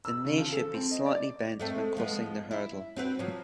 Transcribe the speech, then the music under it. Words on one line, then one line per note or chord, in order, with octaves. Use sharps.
The knee should be slightly bent when crossing the hurdle.
E6
C#3
F3
A4
C4
D#5
D5
G#3 A3 C4
F3 G#3 B3
E4
C4 F#4 B4
F3 F#3